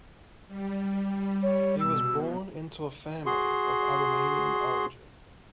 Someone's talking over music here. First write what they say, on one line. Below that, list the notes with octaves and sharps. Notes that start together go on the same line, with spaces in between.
He was born into a family of Aromanian origin.
G3
C#5
B2 E6
F#4 G#4 C6